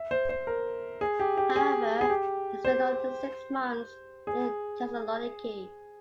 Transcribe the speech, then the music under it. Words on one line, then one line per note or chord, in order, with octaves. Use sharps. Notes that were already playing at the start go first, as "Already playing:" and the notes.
However, he spent only six months in Thessaloniki.
Already playing: E5
C5
C5
A#4
G#4
G4
G4
G#4
G#4
G4
C5
G#4